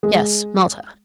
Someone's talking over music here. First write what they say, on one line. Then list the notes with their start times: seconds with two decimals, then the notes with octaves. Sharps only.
"Yes; Malta."
0.03 G#3